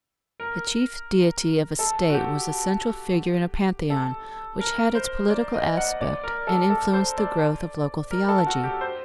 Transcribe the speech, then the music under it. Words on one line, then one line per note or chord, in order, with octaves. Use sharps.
The chief deity of a state was the central figure in a pantheon, which had its political aspect and influenced the growth of local theology.
A#4
A4
F#4
G4
A4
A#4
C5
D5
D#5
F#5
D5
A#4
A4
A4
C5
D5
A#4
A4
F#4
G4
C5